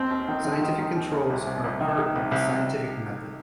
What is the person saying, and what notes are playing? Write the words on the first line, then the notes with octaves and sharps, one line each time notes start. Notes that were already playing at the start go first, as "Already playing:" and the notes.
Scientific controls are a part of the scientific method.
Already playing: D#2 C4
D#2
D#3
D#3
D#3
D#3
D#2
D#2
C2
C2
C2
D#3
D#3
C2
C2
C2